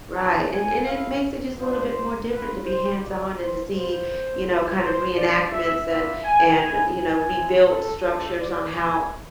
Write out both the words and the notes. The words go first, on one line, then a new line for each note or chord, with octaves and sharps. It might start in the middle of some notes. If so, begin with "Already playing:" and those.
Right, and and it makes it just a little bit more different to be hands on and to see, you know, kinda reenactments and and, you know, rebuilt structures on how
B3 D4 F4 A5
G#5
A3 E4 F5
B3 D4 F4 C5
B3 F4 B4
C5
G#3 B3 F4 D5
C5
B3 F4 C5
G#3 B3 F4
C5
B3 D4 F4 D5
E5
B3 D4 F4 E5
G#5
G#3 B3 E4 G#5
G#5
G#3 C4 E4
A4
G#3 D4 F4 A4
D5
B3 E4 G#5